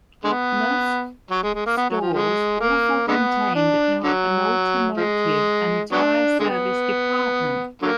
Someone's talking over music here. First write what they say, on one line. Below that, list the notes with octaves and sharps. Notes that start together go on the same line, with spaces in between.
Most stores also contained an automotive and tire service department.
D3 G#3 B3
F#3
G#3
G#3
A#3
B3
F#3
F3
F3 G#3
A#3
D3 G#3 B3
D4
D3 F#3
F3 G#3
F#3 B3 D4
D3 G#3 B3
D3 F#3 A#3